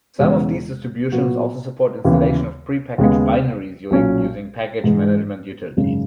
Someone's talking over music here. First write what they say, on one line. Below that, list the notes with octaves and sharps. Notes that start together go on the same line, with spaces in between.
Some of these distributions also support installation of pre-packaged binaries using package management utilities.
E1 E2 C#3 G#3 B3
A#2 F#3 B3 F#4
D#2 C#3 E3 B3
D#2 C#3 G#3 B3
B1 A#2 F#3 C#4
G#2 E3 G#3
G#1 F#2 C#3 G#3